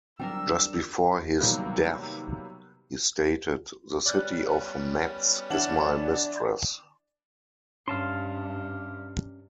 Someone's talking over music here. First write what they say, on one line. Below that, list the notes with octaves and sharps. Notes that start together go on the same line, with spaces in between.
Just before his death, he stated: The city of Metz is my mistress.
F#3 G3 C4 D4 A#4 G5 E6
C3 D#3 F#3 G3 A#3 B3
G3 B3 C#4 D5 F#6
E3 D4 D5 F#5 F#7
G2 C3 C#4 F5 A5 C6